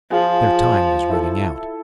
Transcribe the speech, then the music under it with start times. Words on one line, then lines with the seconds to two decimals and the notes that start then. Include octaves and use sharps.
Their time was running out.
0.11 F3 F4 G#4
1.09 E4 A4